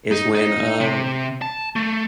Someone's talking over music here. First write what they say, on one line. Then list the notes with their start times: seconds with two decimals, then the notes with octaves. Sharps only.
is when, um
0.12 D#4
0.35 D#4
0.80 C3
1.42 A5
1.76 A3